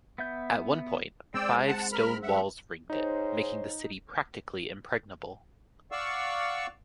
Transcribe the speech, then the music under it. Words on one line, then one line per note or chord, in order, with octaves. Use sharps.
At one point, five stone walls ringed it, making the city practically impregnable.
B3 E5 G6
G#3 C4 D5 G5 E6
F#5 A5
A#4 B5 F6
E5 F#5
G#2 D#4 C5 C#5
D5 F5 F#5 C#6 E6